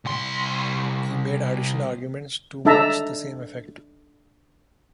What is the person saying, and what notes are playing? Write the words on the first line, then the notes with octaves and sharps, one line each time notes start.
He made additional arguments to much the same effect.
C2 C6
D4 D#4 A4 E5 A5 A#5